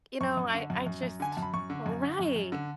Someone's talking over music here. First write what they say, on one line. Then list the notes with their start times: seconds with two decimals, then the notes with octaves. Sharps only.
You know, I I just Right.
0.21 F#2 C#6
0.37 F#2
0.54 D3
0.70 F#2
0.87 F#2
1.03 F#2
1.20 D3 G#5
1.32 F#2 A5
1.42 B5
1.54 F#2 C#6
1.70 D3
1.86 F#2
2.03 D3
2.19 F#2
2.36 F#2
2.52 D3